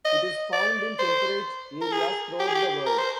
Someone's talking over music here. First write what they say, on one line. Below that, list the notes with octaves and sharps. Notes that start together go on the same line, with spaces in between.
It is found in temperate areas throughout the world.
D#5
D5
C5
A#4
G#4
G4
G#4
G4
A#4
C5